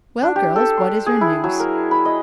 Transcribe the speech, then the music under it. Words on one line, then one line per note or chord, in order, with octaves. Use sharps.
"Well, girls, what is your news?"
D4
G4
A4
C6
G#4
E4
F#3
A#4
B5
D#5